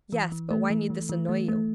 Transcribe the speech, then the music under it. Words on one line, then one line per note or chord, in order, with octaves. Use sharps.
"Yes; but why need this annoy you?"
E3
E3
A3
E3
E3
E3
A3
A3